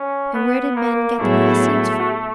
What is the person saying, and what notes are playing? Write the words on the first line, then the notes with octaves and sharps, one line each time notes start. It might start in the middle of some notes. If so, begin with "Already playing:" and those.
And where did men get the grass seeds from?
Already playing: C#4
B3
A#3
A2 F#3 A3 B3 E4 G#4